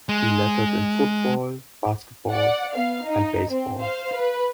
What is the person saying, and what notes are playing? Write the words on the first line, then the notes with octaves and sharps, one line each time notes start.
He lettered in football, basketball and baseball.
G#3
D5 F#5
B3 F5
D#4
C4
C5 F5
B4